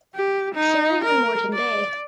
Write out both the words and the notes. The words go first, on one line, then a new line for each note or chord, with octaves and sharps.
Sailing on Moreton Bay.
G4
D#4
A#4
D5